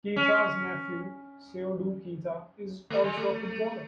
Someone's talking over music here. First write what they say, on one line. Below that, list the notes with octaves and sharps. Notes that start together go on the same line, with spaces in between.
Keita's nephew, Seydou Keita, is also a footballer.
C#4
A3
G3
A3